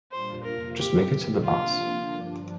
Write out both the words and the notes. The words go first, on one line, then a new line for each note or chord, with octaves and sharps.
Just make it to the Meuse.
A#2 G3 D4 F4 C5
F2 C3 A#3 F4 A#4
C3 F3 C4 G4
A#2 G3 A#3 F4
C3 F3 D4 F4
D3 A#3 D4
G2 F3 D4